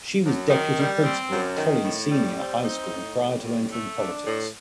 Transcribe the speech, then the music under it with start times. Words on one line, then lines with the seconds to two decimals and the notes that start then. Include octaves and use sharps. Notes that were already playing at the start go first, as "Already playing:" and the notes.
She was deputy principal of Collie Senior High School prior to entering politics.
0.24 F#2
0.50 D#3
0.78 G3
1.04 C4
1.31 F#2
1.57 D#3
1.84 A2
2.11 G3
2.37 C4
2.64 D#4
2.91 A2
3.18 G3
3.45 A2
3.71 A3
3.98 D4
4.25 A2